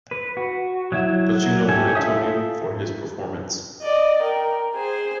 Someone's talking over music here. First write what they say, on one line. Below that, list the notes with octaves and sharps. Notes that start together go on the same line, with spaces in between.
Pacino won a Tony for his performance.
B4
F#4
F#3 E4 E5
F#3
C#4 G4 A4 E5 G#5
F4 A4 E5 D#6
D5 D#5
A#4 G5
G#4 C5